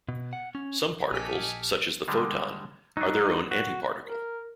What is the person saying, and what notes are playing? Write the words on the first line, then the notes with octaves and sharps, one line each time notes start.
Some particles, such as the photon, are their own antiparticle.
B2
F#5
C#4
A#1 G4 A4 D#5 G#5 F6 B6
D3 G3 G#3
F#3 D4 D#4
F#4
A#4